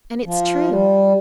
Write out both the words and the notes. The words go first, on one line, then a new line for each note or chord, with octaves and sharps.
And it's true.
F3
G3